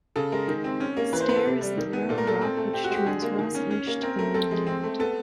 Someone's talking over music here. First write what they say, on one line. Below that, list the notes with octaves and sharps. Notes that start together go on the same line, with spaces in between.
Steir is the narrow rock which joins Rosinish to the mainland.
C#3 A4
G#3 A#4
D#3
C4
C#4
A#3
E3 B4
C5
B3 B4
A4
C3
G3
D#3
B3
A#2 A4
A#4
A3 A4
C4
A3
C4 G4
F#4
G#3
G4
D3 G#4
A#3
D#3
C#4
C#4
A#3
C4 A#4
A3 A#4
C4 A4
G#3
C4
A3
B3 A4